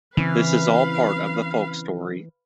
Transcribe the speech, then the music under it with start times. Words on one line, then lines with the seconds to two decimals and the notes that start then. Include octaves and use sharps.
"This is all part of the folk story."
0.17 C#3 E3 C4 B4 F5